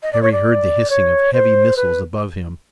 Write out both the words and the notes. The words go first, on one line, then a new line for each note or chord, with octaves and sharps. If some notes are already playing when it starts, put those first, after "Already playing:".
Harry heard the hissing of heavy missiles above him.
D#5
D5
C#5
D5
C#5
C5
B4